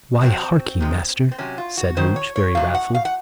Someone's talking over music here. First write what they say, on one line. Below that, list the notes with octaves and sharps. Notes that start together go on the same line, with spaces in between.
"Why, harkee, master," said Much, very wrathful.
F2 C3 F#3 C4
C3 D#3 G#3
C4
C3 F#3 C#4
F4
F#4
F2 D#3 F#3 C5
C#5
C#5
C3 F#3 F5
F#5
F5
F#5